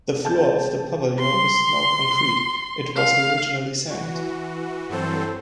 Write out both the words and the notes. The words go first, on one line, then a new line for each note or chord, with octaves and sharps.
The floor of the pavilion is now concrete; it was originally sand.
G#4 A5 G6
C6
F5
E3 F#4
G2 E3 F#3 C4 A4 C5